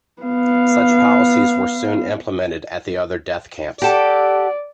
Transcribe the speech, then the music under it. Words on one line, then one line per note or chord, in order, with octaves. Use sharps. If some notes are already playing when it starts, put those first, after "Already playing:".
Such policies were soon implemented at the other death camps.
B3 F5
G4 A4 D5 F#5